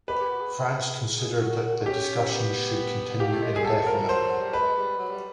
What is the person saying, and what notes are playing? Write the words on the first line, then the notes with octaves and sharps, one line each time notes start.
France considered that the discussions should continue indefinitely.
G4 B4
G4
F#4
G#4
F#4
D4
C#4 G4
B3
A#3 G4
A3
G#3
G#3 G#4
F#3 A4
F3 A#4
F3
F#3 C5
F#3
G3
G#3 B4
G3
F#3
G3